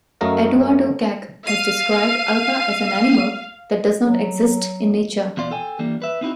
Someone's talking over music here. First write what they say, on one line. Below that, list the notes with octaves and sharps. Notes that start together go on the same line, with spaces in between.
Eduardo Kac has described Alba as an animal that does not exist in nature.
F#2 F#3 A3 A#4 D#5 F5
F5 C7 D#7
F#3
E2 B2 F4 D5
A4 G5 G#5
E3 G3 A#3 D4
B4 E5
C4 D#4 E4 F#4